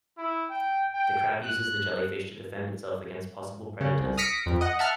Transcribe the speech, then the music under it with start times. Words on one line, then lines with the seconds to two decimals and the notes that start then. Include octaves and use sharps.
The crab uses the jellyfish to defend itself against possible predators.
0.18 E4
0.50 G5
0.94 G5
1.43 F#6
3.81 C#3
3.98 C2
4.18 D#6 F6 A#6 B6 C#7 D7
4.46 F2
4.61 D#5 F#5
4.79 E5 F#5 A5 F6